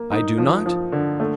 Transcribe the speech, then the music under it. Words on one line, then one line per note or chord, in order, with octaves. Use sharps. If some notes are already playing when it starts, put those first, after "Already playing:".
I do not.
Already playing: A#3
D#4
F3
F3
D3
A3